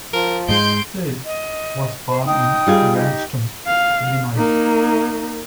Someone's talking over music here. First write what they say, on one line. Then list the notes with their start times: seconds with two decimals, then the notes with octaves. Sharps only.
Hale was born in Evanston, Illinois.
0.13 F3 A#4
0.49 G#2 G#3 D#4 C6 G6 D7
1.24 D#5
2.07 C5
2.25 D#4 G5 D#6
2.67 G3 F4 G#4
2.95 D#4 G4
3.67 F5
4.36 A#3 D#4